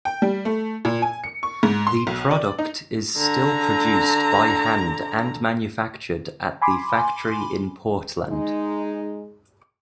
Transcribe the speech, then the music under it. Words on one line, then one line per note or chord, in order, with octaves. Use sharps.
The product is still produced by hand and manufactured at the factory in Portland.
G5
G3
A3
A#2
G#5
C#7
C#6
G#2
C6
B1
D5
D#4
D3 A#5
G#5 B5 C6 D6
G#3 D#4